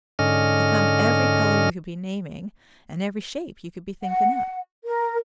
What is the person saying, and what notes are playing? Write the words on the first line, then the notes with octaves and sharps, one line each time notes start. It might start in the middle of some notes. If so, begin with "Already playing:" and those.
They come every color you could be naming, and every shape you could be thinking up.
G#2 D3 C#4 D#5 F6
F#5
A#4